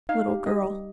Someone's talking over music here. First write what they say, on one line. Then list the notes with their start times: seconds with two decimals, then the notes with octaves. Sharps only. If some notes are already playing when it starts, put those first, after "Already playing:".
Little girl.
0.09 D#4 F5
0.28 G4
0.46 G4 D#5
0.65 G3